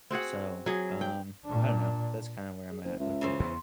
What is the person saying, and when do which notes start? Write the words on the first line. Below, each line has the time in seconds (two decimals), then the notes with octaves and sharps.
So, um, I don't know, that's kinda where I'm at with it.
0.11 C4 F#4 G#4 F#5
0.66 F#3 G#4
1.01 G5
1.45 A#2 D4
2.70 G#4
2.84 F#1 C5
2.99 C#2 E5
3.21 C#3 E3 C5
3.40 E2 B3 C6